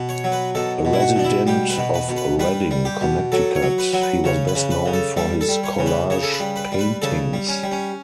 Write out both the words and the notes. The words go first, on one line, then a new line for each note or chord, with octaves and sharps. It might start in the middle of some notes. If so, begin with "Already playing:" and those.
A resident of Redding, Connecticut, he was best known for his collage paintings.
Already playing: B2
C#5
F#3
B4
B2 A4
B2
E4
F#4
B2 D4
E4
G3 G4
B4
B2
B4
B2
B4
G3 B4
G3
G4
B2
F#3 A4
C#5
F#3
B4
F#3
B4
C#3 C#5
B4
C#3
B4
C#3
A4
G3 A4
A4
G3
C#5
C#3
B4
C#3 C#5
A4
B4
G3
B4
G3
B4
C#3 A4
G3
C#4
G3
C#4